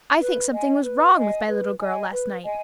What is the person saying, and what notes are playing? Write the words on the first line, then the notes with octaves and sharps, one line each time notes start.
I think something was wrong with my little girl last night.
B4
D#5 G#5
B4
D#5 G#5
B4
D#5 G#5
B4
D#5 G#5